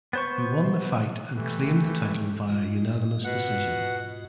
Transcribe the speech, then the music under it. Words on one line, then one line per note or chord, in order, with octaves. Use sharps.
He won the fight and claimed the title via unanimous decision.
B3 C5 C#6
E3 A3 G4
G#2 F4 D#5
B2 F#5